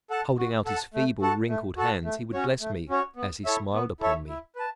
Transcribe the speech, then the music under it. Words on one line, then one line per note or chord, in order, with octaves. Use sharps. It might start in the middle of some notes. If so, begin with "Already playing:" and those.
Holding out his feeble, wrinkled hands he would bless me as he smiled upon me.
A4 F#5 A5
F#4
A4 F#5 A5
A3
F#4 A4 F#5 A5
A3
F#4 A4 F#5 A5
A3
C#4 F#4 C#5
A3
C#4 F#4 C#5
B3
E4 A4 C#5 E5
B3
E4 A4 C#5 E5
E4
B4 A5